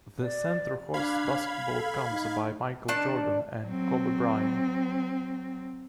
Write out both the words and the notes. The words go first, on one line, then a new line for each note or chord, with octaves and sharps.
The center hosts basketball camps by Michael Jordan and Kobe Bryant.
D5
D4 F5 B5 G#6
A4
D#4
D#3 D4 D5 A5
F#3 C4